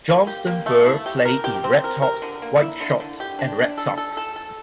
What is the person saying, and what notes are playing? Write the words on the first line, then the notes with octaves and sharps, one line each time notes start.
Johnstone Burgh play in red tops, white shorts and red socks.
A#3
G4
A#3
A3
E4
G4
A#4
G4
C4
A#4
A#4
D3
A#3
E4
D3
D3
G4
D4
D4
A4
A4
A4
A4